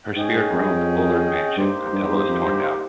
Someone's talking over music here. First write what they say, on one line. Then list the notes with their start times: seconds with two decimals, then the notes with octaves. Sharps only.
Her spirit roamed Bullard mansion until it was torn down.
0.16 G#2 C#4 G#4 D#5 G5
0.34 G#2
0.52 F2
0.60 G2
0.70 F2
1.57 G2 A#3 D#4 G4 C5
1.92 G2
2.10 G2
2.29 F2
2.46 G2